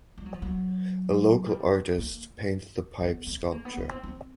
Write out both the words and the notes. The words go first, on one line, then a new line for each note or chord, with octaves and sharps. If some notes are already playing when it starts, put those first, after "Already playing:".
A local artist painted the pipe sculpture.
G3
F#3
F3
F#3
G3
A#3
B3
C4
A#3
B3
B3
C4
C4